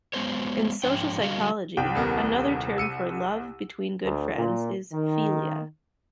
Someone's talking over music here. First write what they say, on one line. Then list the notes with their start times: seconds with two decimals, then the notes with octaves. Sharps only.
In social psychology, another term for love between good friends is "philia".
0.13 F#3 G#3 B3 C5 C#5
0.83 G#2 F3 D4 C#5 G5
1.20 D3 G3 F#4 D#5 F5
1.77 C2 G5
1.95 D#1 B3 A#4
2.78 E6 C#7 D#7
4.05 D2
4.37 A#2
4.93 D#3